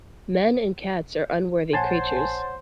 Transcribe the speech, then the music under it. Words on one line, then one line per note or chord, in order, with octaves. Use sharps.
Men and cats are unworthy creatures.
A#1 C5 C#5 F#5 G#5 A5 C6